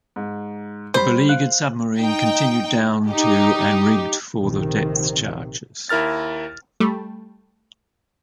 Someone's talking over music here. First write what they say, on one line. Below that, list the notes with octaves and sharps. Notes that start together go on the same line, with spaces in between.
The beleaguered submarine continued down to and rigged for depth charges.
G#2
G3 C5 B5
F5 F#6
D#4 G5
D#4 G4
A#1 C3 D#3
D#2 E4 A#4 F6 A6
G3 A3